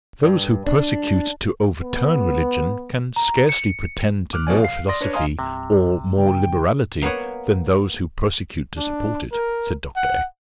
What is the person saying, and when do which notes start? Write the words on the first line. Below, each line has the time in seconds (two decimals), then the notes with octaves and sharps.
"Those who persecute, to overturn religion, can scarcely pretend to more philosophy, or more liberality, than those who persecute to support it," said Dr. X----.
0.23 G2
0.66 D4
1.82 B3
3.16 A#5
3.49 C#7
4.33 D6 F6 F#6
4.47 B2 F3 D5 G#5
4.61 F5 C7
4.89 D5 C6 D#6 A#6
5.01 D4 B4 C#5
5.13 D#5 F5 G#5 A#5 C6 D#6
5.39 C2 G2 C3
6.18 C#2 C#3 B3 G5
7.02 A#3 B3 B4 C#5 F#5
8.77 D4
9.32 A#4
9.96 F#5